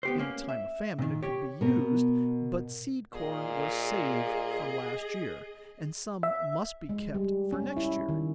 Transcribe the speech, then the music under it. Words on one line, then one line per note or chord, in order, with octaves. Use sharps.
In a time of famine it could be used, but seed-corn was saved from last year, and some must be kept for next year.
B3 G4 C5
A#3 C#4
E5
A#2 D#3
G4 C#5
B2 A#4
A#2 G#4 D#5
E5
G#3
G3
C#4
E4
D#3